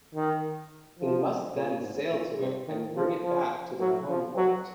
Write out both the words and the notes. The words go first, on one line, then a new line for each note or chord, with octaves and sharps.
They must then sail to it and bring it back to their home port.
D#3
F3
A#2
G#2
A#2
C3
D#3
F3
F3
F#3
F3
F#3